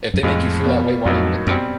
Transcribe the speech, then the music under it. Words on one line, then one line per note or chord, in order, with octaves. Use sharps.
If they make you feel that way, why are you with them?
F#2
F2 A2 F3 G#3
B2 G3 A#3
F2 A2 F#3 A#3 D#4 F#4
F#2 B2 G3 C4